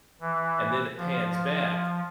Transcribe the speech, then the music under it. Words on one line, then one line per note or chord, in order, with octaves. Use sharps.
and then it pans back,
E3
F3